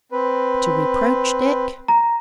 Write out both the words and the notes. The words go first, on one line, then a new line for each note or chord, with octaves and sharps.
To reproach Dick?
C4 B4
A#5